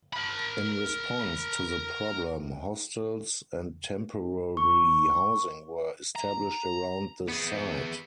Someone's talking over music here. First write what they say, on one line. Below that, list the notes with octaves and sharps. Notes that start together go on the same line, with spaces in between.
In response to the problem, hostels and temporary housing were established around the site.
A#4 B5
C#6
A#5
B3 G#4